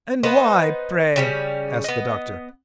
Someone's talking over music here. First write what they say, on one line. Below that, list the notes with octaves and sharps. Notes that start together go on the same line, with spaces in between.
"And why, pray?" asked the Doctor.
B3 D#4 B4 C5
C#3 G3 C#4
B3 D#5